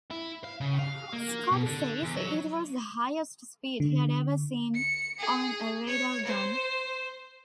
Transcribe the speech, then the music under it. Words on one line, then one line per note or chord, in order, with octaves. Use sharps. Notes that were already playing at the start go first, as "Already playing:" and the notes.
Scott says it was the highest speed he'd ever seen on a radar gun.
E4
F5
C#3
F5
A#3
B2
D3
E2
F#3
D3
C#7
G#4
C#5
C5